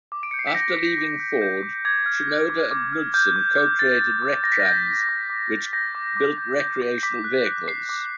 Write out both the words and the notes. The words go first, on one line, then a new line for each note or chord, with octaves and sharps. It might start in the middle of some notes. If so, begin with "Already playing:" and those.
After leaving Ford, Shinoda and Knudsen co-created Rectrans, which built recreational vehicles.
D6
D7
G6 C#7
C7
B6
G6 A#6
D6
D6
G6
G6
D6
D6 G#6
F6
F6
D6
D6
F6
F6 G6
D6
D6
F6 A6
F6
D6
D6 A#6
B6
A#6
G6
G6
D6
D6
G6
G6 A#6
D6
D6
G6
G6
D6
D6 B6
F#6
F#6
D6 C7
D6